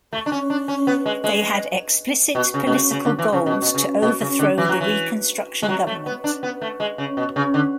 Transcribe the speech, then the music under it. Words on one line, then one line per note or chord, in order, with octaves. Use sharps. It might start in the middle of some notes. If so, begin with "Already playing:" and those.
They had explicit political goals to overthrow the Reconstruction government.
A3
D4
C#4
D4
C#4
B3
G#3
G#3
B2
C#3
B2
C#3
C#3
D3
E3
C#3
B2
B2
C#3
B2
C#3
D3
E3
F#3
E3
G#3
F#3
A3
B3
D4
B3
A3
G#3
C#3
B2
C#3
D3